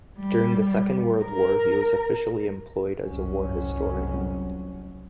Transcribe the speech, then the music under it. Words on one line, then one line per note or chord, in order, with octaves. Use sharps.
During the Second World War he was officially employed as a war historian.
G3
A#4
F1 C2 G#2 F#3 C#4